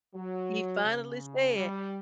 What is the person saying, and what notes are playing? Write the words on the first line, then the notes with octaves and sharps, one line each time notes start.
He finally said,
F#3
C#3
G3